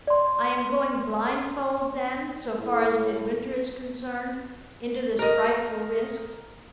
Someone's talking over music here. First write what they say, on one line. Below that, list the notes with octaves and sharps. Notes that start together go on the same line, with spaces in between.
I am going blindfold, then--so far as Midwinter is concerned--into this frightful risk?
D5 C6
A2
A#4 D#5